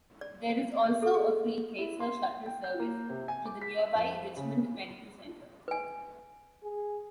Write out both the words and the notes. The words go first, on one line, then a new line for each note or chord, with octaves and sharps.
There is also a free Kaiser Shuttle service to the nearby Richmond Medical Center.
D5
A4
G#4
E4
C6
G5
G6
A#3
C3
G#5
D6
B6
E5
F2
C#3
B4 G#5
G#4